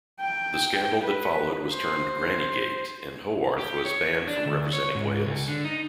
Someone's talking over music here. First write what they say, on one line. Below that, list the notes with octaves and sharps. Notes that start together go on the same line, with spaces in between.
The scandal that followed was termed "grannygate" and Howarth was banned from representing Wales.
G5
B4
C5
G4
C#5
D4
D2
C#5
G#2
C#2
D3
D#4